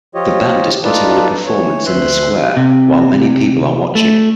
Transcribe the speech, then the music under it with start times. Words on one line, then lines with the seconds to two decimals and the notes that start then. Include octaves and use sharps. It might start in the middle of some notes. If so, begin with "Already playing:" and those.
The band is putting on a performance in the square while many people are watching.
0.15 F3 F4 G4 C#5 D#5
0.84 D4 D#4 F4 A4 B4 D5
1.46 E3 C#5
1.86 D2 E5 C6 F#6
2.57 C3
3.95 A3